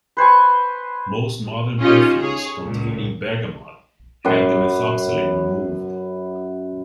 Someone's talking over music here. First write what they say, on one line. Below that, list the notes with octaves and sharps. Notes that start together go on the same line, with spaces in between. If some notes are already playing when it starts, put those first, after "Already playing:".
Most modern perfumes containing bergamot have the Methoxsalen removed.
B4 C5 G#5 C#6
C#4 D#4 F4 G4 C#5 D#5
G#4 C#5
C#2 A#2
F#2 F#3 B4 C6